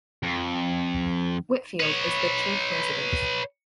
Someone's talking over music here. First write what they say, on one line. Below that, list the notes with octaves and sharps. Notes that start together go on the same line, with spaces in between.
Whitfield is the chief residence.
F2
B4 C#5